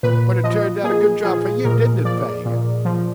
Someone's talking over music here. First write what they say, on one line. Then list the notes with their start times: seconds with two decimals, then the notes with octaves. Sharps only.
But it turned out a good job for you; didn't it, Fagin!
0.03 A#2 B4
0.44 F3 D#5
0.83 A#2 G#4
1.24 F3 G#4
1.65 A#2 A#4
2.05 F3 D5
2.45 A#2
2.85 F3